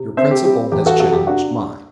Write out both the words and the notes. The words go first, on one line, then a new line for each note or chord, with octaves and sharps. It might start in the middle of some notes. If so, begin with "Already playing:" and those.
Your principal has challenged mine.
Already playing: C3
C4 C5 E5
G4
G3 G4
E2 G4
F#4 A4
C3 F#4 A4
G4
D4 F#4